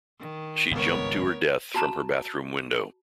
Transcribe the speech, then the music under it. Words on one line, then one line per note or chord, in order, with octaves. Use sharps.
She jumped to her death from her bathroom window.
D#3
G#1 C#2 G2 B3 A#4 C#5
F#4 A5 A#5